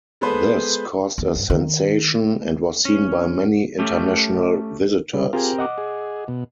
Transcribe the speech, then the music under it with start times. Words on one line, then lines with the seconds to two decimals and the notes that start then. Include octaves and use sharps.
This caused a sensation and was seen by many international visitors.
0.21 G#3 B3 A4 B4 C5
1.18 D#2
1.35 G2
1.50 D#3
2.85 C#4
3.79 A3 C#4 G4
5.14 C#3 G3
5.33 C4 F4 G4 G#4 A#4 G#5
5.58 D#5 F#5 D6
5.78 G#4
6.28 B2